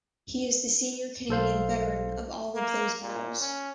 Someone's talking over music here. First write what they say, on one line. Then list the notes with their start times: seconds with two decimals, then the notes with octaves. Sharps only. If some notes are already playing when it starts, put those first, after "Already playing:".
He is the Senior Canadian Veteran of all of those Battles.
1.29 B1 A4 C5 F5
2.55 A#3
3.02 A#2
3.41 C#4